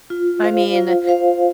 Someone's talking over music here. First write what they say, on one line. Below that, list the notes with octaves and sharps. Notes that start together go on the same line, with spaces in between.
I mean,
F4
C5 F5
F4
C5 F5